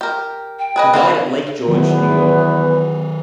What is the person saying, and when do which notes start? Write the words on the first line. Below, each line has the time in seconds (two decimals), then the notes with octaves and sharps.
He died at Lake George, New York.
0.01 G4 A#4
0.59 G5
0.76 G#4 B4 D#5
0.93 G3 B3 C4
1.68 E2 D#3 F#3 B3